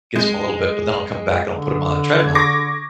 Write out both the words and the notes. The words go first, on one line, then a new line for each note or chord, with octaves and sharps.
Gets them a little bit but then I'll come back and I'll put 'em on a treadmill,
G#3
D3
G#6
C#6 D6 A#6